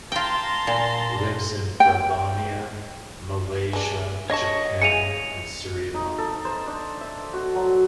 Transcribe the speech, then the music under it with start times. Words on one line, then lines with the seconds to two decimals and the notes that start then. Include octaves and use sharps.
Lives in Birmania, Malaysia, Japan and Sri Lanka.
0.12 F4 G5 A5 A#5 C6
0.67 A#2
1.80 G5
3.73 G#3 D4
4.30 D4 C#5 D#5 A5 C#6
4.82 C#3 E3 G#4 C#7 D#7 F7
5.94 D#4
6.18 A4
6.45 C5
6.67 D4
7.01 E5
7.33 F#4
7.55 F#3